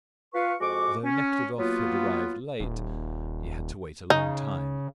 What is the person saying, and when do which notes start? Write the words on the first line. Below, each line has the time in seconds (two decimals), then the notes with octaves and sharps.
Though Nekhludoff had arrived late, he had to wait a long time.
0.35 F4 B4 F5 C#6
0.61 F2 G#3 F#4 C#6 D6
1.04 C#4
1.58 F#3 A#3 B3 F4
2.60 D#1
4.10 C#3 D#4